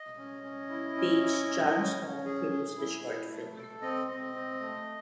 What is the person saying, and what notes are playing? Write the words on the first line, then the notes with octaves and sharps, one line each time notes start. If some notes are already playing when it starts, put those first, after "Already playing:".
Paige Johnstone produced the short film.
Already playing: D#5
C#4
C#4
E4
C#4
E4
C#4
C#4
C#4
G#4
G#4
E4
E4
A3
A4
C4 D#5
C4
C4
A3